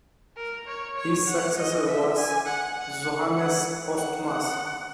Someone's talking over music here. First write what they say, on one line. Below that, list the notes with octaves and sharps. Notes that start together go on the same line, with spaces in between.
His successor was Johannes Postmus.
A#4
C#5
C#5
F#5
D#5
E5
G#5
F#5
F#5
F#5
F#5
F#5